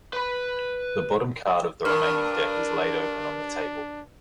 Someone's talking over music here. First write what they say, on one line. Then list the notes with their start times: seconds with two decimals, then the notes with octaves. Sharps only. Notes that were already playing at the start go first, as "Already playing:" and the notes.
The bottom card of the remaining deck is laid open on the table.
0.13 B4 B5
1.85 G2 D4 A#4